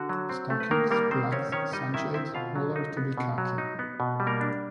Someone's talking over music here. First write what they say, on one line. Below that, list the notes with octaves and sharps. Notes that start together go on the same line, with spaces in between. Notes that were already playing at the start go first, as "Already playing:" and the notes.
Stockings, gloves, sunshades, all are to be khaki.
Already playing: D3 F#4
F#3
C4
A3
B4
D#3 A#3 A#4
G3 A#3 A#4
D#3 C4 C5
C4 C#4 C#5
D#3 C#4 C#5
G3 D#4 D#5
D#3 E4 E5
C4 E4 E5
B2 F4 F5
F#3
D#4
B3
B2
F#3
D#4
B3
B2
G3
A#3 A#4
D4